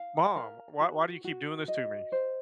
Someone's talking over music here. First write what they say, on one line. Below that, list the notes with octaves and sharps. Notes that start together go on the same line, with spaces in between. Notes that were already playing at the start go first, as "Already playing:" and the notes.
"Mom, why why do you keep doing this to me?"
Already playing: F5
A#4
F#4
F#4
D#5
C5